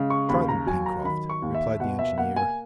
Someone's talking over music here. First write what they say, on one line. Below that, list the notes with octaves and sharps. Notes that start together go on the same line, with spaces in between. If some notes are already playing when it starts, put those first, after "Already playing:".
"Try them, Pencroft," replied the engineer.
Already playing: C#3 G#3
C#6
D#2 B5
A#5
F#3 G#5
A#5
D#3 B5
C#6
D#2
E5
B2 F#5
E5
A#3 F#5
G#5